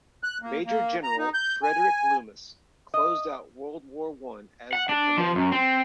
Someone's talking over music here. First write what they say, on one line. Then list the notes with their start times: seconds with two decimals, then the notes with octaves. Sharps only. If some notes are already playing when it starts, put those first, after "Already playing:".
Major-General Frederick Loomis closed out World War One as the commander.
0.24 F#6
0.42 A#3
0.66 A#3
1.03 A#5
1.18 D#4
1.34 G6
1.63 G#5
2.94 D#5
4.73 F#5
4.89 D4
5.17 F3
5.35 F#2
5.52 C4